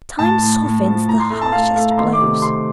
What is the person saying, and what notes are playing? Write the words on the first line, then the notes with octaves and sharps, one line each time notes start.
'Time softens the harshest blows.
A2 A5
A2
A2
F3
A2 A#5
C6
A3 A#5
A5
A3 F5
A3 F5
A#5
D#3 C6
D6
C3
C3 C6